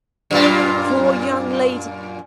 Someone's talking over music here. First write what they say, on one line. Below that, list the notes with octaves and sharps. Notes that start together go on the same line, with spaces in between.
'Poor young lady!
F#2 A#2 F4